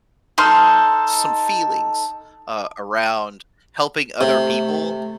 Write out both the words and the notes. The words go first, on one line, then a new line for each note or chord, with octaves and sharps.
some feelings, uh, around helping other people
D#4 A4 C6 F6
C3 A3